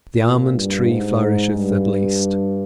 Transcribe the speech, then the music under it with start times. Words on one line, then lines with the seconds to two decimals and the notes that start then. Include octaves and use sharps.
The almond-tree flourisheth at least.'
0.21 A#2
0.55 G2
0.89 G#2
1.56 G2